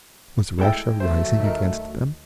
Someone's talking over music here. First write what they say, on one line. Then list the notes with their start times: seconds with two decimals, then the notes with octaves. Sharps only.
Was Russia rising against them?
0.59 G#3 E4 A4 G5
1.00 D2 F#3 A3 C5
1.40 D#4 A#4